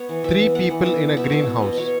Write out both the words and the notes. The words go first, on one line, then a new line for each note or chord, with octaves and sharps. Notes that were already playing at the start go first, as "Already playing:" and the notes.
Three people in a green house.
Already playing: B3 C#5
E3
E3 E5
B3
B3 F#5
E3
B3 E5
B3
B3 E5
C#5
B2 E5
B3
B2
B2 C#5